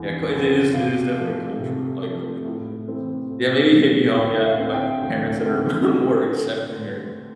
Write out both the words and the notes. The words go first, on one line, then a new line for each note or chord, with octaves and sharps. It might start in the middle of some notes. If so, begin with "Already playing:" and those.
Yeah, 'ca it is it is definitely culture like, cultural differences Yeah, maybe a hippie home, yeah. Like, parents that are more accepting or
Already playing: E2 D3 F3 C4
D3 F3 C4
C3 F5
F3 A3
C3
F3 A3
A2
E3 A3 C4
A2
E3 A3 C4
F5
D2 G5
E5
F5
D3 A3 C4
G5
D2
D3 A3 C4